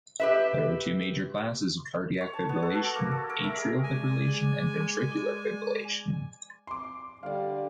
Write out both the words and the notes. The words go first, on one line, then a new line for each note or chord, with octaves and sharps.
There are two major classes of cardiac fibrillation: atrial fibrillation and ventricular fibrillation.
G4 B4 E5
C#5
A5
B3
A4
F#4
A#3
A4
A#4
E5
G#4
G#3 D5 G#5
C6 D6
D3 G3 D5 F5